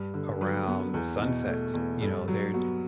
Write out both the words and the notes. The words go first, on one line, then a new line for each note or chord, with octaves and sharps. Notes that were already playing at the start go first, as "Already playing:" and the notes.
around sunset, you know, they're,
Already playing: G2
D3
F#3 B4
B3
E2
B2
A3
E2
G2 A4
F#3
B3 F#4